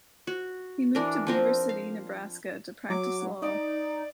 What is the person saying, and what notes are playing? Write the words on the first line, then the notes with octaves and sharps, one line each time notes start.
He moved to Beaver City, Nebraska to practice law.
F#4
E3 D4 A#4
F3 C4 A#4
F5
F#3 D6
D#4 D5